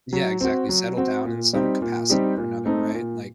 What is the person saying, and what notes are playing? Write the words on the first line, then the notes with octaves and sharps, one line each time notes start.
Yeah, exactly. Settle down in some capacity or another, right, like
F#3
C4 F#4
F#3
C4 F#4
A#2
G3 C4 D#4 G4
A#2
G3 C4 D#4 G4
A#2
A3 C4 D#4
A#2